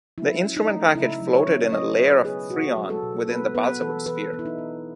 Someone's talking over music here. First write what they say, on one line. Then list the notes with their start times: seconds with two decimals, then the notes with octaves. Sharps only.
The instrument package floated in a layer of freon within the balsawood sphere.
0.18 F#3 E4
0.43 C#4
0.57 D#4
0.69 A3
0.95 C#3 E4
1.21 F#3
1.34 C#5
1.48 C#4
1.65 C#5
1.73 F#3 D#5
1.99 B2 B4
2.25 B3 G#4
2.50 B2 F#4
2.76 F#3
2.90 A4
3.03 B2
3.28 B3 B4
3.55 B3 B4
3.81 E3 A4
4.06 E3 B4
4.33 B3
4.39 E4
4.46 D#4
4.58 B3